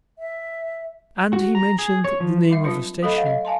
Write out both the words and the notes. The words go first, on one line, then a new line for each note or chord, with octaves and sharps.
And he mentioned the name of a station.
E5
F#4
A#5
G#4
C#5
F3
G3 D#4 E5
F#3 C4 D4 D#4 F4 B4
F#3 A3 A4 C5 D#5 B5
D#5 F5 F#5
D#5 F5
F5 G#5 A5 C6